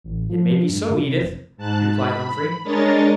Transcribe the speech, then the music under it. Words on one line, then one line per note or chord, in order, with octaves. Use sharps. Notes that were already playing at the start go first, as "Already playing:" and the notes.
"It may be so, Edith," replied Humphrey.
A1
F3
G2
D3
C3
F1
G#2 A5 F#6
B5
G#3 D4 A#4 C#5 D#5 A6